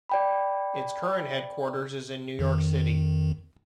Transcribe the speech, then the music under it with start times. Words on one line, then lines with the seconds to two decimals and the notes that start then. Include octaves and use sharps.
Its current headquarters is in New York City.
0.09 D5 G5 B5
2.39 F2 D#3